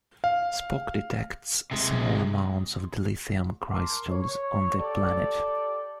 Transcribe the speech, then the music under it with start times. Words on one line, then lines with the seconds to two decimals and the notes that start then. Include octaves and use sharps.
Spock detects small amounts of dilithium crystals on the planet.
0.24 F5
1.71 C3 G#3
3.70 A#4 A5 C6 D6
4.12 C#5
4.79 G4 A4 D5